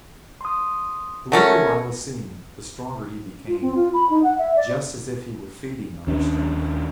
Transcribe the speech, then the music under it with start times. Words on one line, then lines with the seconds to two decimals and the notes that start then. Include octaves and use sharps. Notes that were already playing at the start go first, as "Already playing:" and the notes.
The weaker Lilla seemed, the stronger he became, just as if he were feeding on her strength.
0.41 C6 D#6
1.32 F#3 A3 C#4 A#4 A#6 C#7
3.47 F4
3.61 C4
3.75 F4
3.94 B5
4.10 D#4
4.23 F#5
4.38 E5
4.56 D5
6.07 D#2 C#4 D4